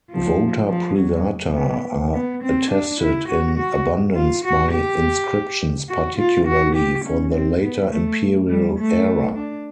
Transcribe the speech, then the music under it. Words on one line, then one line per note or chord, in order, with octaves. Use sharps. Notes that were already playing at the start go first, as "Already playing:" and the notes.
"Vota privata" are attested in abundance by inscriptions, particularly for the later Imperial era.
F3
F3
F#3
B3
B3
C4
D4
E4
F#4
F#4
F4
F#4
G4
F#4
F4
F#4
G4
C#4
C4
B3
A3
G3
A3
D4